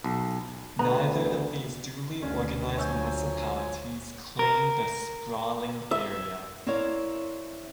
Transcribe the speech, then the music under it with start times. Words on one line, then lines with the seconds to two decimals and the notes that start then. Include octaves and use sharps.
Neither of these duly organized municipalities claimed the sprawling area.
0.04 B1
0.79 D2 B3 A#5
2.22 D2 C#4 D4
2.77 F3 F#3 C#5 G#5 E6 G6
4.39 A#4
5.91 E5
6.66 C4 E4 A#4 C#5 D5 F5